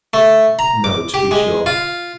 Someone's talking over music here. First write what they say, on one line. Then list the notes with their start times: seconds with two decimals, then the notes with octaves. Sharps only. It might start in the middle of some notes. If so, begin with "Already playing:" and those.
No, to be sure!
0.13 A3
0.59 A#5
0.84 D6
1.14 G4
1.31 G#3
1.66 F4